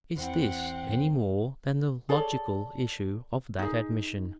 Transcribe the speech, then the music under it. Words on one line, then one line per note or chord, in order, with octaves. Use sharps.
Is this any more than the logical issue of that admission?
E2 C4 F#5
G#4 A4 C#5 D5
D#4 G#4